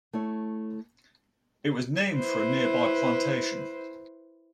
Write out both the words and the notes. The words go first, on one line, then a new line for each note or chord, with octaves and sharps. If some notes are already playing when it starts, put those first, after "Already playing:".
It was named for a nearby plantation.
A3 E4 C#5
E4 B4 C5